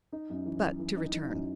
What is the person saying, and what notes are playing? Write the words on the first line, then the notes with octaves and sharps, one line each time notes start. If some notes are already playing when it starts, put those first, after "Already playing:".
But to return.
D#4
F#2
E3
E3
E3
D#4
D#4
F#2